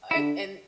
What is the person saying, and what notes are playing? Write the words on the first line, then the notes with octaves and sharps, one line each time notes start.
and and
E4
D3